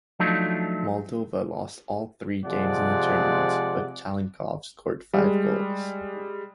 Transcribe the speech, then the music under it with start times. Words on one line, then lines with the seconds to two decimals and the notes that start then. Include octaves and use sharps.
Moldova lost all three games in the tournament, but Calincov scored five goals.
0.19 F3 F#3 A3 D4 D#4 F4
2.45 C3 F3 G#3 D5 F#5
5.13 G3 G#3